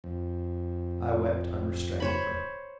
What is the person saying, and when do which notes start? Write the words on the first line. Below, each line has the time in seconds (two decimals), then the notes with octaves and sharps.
I wept unrestrainedly.
0.04 F2
2.00 C5 C#5 B5